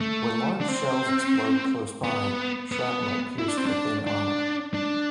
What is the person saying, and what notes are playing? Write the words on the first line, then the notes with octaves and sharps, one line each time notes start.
When large shells explode close-by, shrapnel pierced the thin armor.
A3
D4
C4
B3
B3
E4
D4
C4
D4
D4
D4